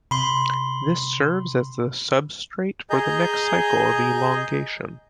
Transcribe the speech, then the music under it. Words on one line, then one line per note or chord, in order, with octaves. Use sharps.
This serves as the substrate for the next cycle of elongation.
C3 B5 C6
G#4 D#5 G#5 A#5 G6